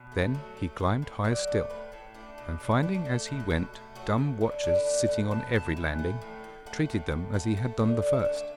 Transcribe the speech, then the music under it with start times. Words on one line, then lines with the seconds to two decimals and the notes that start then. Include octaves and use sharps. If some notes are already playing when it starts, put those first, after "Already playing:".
Then he climbed higher still, and finding as he went dumb watchers sitting on every landing, treated them as he had done the first.
Already playing: B2
0.12 A3
0.35 F#3
0.57 A3
0.80 A2
1.02 A2
1.24 F#3 D5
1.47 A3
1.70 A2 B4
1.92 A2 E4
2.14 A3 D4
2.38 B2
2.60 B2 D4
2.71 B3
2.83 A3 D4
2.94 F#4
3.05 A3 A4
3.27 B2
3.40 A4
3.50 B2 F#4
3.74 A3
3.95 F#3 F#4
4.18 A3
4.41 D3 E4
4.52 D4
4.63 D3 D4
4.75 E4
4.86 A3 F#5
5.08 B2
5.31 B2 A5
5.54 A3 A5
5.77 E3
5.99 A3
6.22 A2
6.44 A2
6.66 A3 F#5
6.90 A2
7.12 A2
7.34 A3 F#5
7.57 A3
7.79 D3
8.02 D3 D5
8.13 E5
8.19 F#5
8.25 A3 E5
8.36 E5